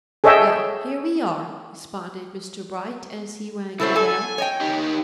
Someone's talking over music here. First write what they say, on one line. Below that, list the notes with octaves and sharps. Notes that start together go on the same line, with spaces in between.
"Well, here we are," responded Mr. Bright, as he rang the bell.
G#4 A4 C#5 D#5 E5 G5
C#2 F#3 E4 A4 C5
A4 G#5
C#5 D#5 G5
D#4 G4